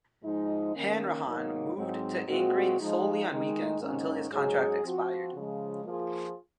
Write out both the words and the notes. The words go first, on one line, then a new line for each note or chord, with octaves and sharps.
Hanrahan moved to anchoring solely on weekends until his contract expired.
G#2 F3 G#3 D#4
D#3 A#3 C#4
G#2 D#3 F#3 A#3 D#4
G#2 F#3 C4
A#2 G#3 C4 F#4
F3 G#3 D#4
D#3 G#3 D#4
G#2 D#3 A#3 C#4
G#2 F#3 C#4 G#4
F3 C4 F#4
C#3 F3 G#3
F3 A#3 F4 G#4